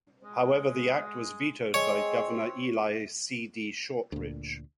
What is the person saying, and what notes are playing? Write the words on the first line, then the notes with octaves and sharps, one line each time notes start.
However, the act was vetoed by Governor Eli C. D. Shortridge.
G#3
G#3 C4 C#5
D2 A#2